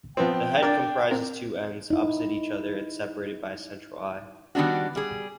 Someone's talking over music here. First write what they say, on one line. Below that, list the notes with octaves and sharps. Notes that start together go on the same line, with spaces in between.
The head comprises two ends, opposite each other and separated by a central eye.
F3 B3 C4 G5
D4 A#4 D5 A6
C4 A#4
D#4 E4
D#3 G3 B3 D4 F#4
G3 G#4